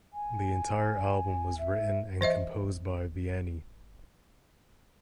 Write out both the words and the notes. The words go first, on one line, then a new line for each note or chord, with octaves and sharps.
The entire album was written and composed by Vianney.
G#5
E5
E3 C5 D#5 E5